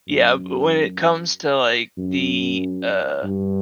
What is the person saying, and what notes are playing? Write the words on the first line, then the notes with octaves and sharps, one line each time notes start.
Yeah, but when it comes to, like, the, uh,
F#2
F#2
G2